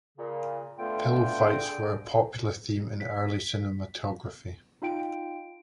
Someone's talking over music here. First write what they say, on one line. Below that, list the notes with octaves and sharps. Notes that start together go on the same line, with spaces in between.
Pillow fights were a popular theme in early cinematography.
A#2 C#3
D3 A3 B3 F4 G5
G#4
B6
D#4 F4 G5 D7